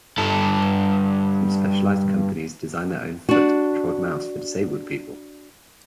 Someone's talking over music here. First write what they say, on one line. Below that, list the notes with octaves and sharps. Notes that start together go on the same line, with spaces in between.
Some specialized companies design their own foot controlled mouse for disabled people.
G2 A4
D4 F#4